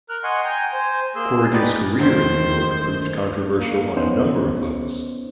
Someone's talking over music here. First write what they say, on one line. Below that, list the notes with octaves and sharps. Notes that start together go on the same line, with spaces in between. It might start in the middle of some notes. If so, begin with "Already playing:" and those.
Corrigan's career in New York proved controversial on a number of levels.
A#4 F6 F#6
D#5 F#5 G#5 C6 C#6
G5 G#5 A#5
C5 G#5
A#3 G#4 C6 E6
D#4 G4 G#4 B4 D5
D#3 A3 A#3 C5
A#3
B3 C#4 D#4 C5